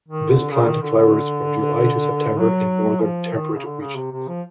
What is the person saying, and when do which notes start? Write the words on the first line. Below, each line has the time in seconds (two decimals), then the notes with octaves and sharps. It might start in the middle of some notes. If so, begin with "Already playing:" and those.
This plant flowers from July to September in northern temperate regions.
0.08 D#3
0.30 D3
0.51 C#3
0.67 D#3
0.82 D3
0.98 D3
2.39 F#3
3.02 F3
3.34 D#3
3.56 C#3
3.65 D3
3.81 C#3
3.97 C3
4.12 C3
4.28 F3